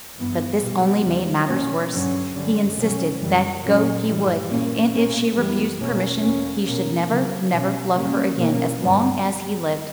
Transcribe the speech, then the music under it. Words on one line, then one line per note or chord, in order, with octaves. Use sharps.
But this only made matters worse: he insisted that go he would, and if she refused permission he should never, never love her again as long as he lived.
G2 E3 B3
B2 G3 B3
E2 C#3 G3
B2 A#3 C#4
G2 D3 F#3 C#4
F#2 D3 G3 C#4
B2 F#3 C#4
F#2 C#3 E3 G3
A#2 F#3 C#4
G2 E3 G3
A#2 A#3 C#4
B2 A#3 C#4
F#2 E3 G3 B3
E2 B2 A#3 C#4
E2 B2 A#3 C#4
B2 A#3 C#4
C#3 F#3 A#3
B2 F#3 C#4
F#2 C#3 G3 A#3 C#4
B2 A#3 C#4
G2 D3 G3 B3